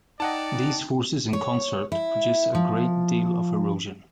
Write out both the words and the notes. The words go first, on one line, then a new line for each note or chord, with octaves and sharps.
These forces in concert produce a great deal of erosion.
D#4 D5 D#5 F#5 G5 A5
C#5
E4
F3